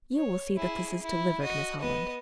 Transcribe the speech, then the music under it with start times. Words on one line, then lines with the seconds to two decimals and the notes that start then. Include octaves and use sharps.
"You will see that this is delivered, Miss Holland."
0.16 C#5
0.56 E4 G#4
1.01 E4
1.41 F#4 D#5
1.81 B3 D#5